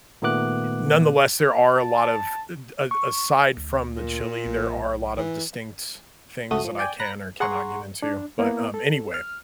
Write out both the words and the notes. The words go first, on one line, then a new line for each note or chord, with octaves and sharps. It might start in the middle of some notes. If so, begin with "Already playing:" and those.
nonetheless, there are a lot of d a aside from the chili, there are a lot of distinct things that I can or cannot get into. But, um, anyway,
A#2 D#3 A3 B3 D6 F#6
A5
C#6
D2
A#2
B1
E3
C#2 A3 F#4 D#6
F3
D5 G5 G#5
A#5 B5 F#6 A#6
G#4 F#5 A#5 C6 C#6
D4
A#3 B3 E4
A4
F6